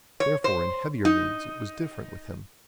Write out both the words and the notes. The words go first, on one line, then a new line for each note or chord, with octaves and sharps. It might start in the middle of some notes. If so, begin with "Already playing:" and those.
Therefore in heavier moods it was different with him.
C#5
C5
D#4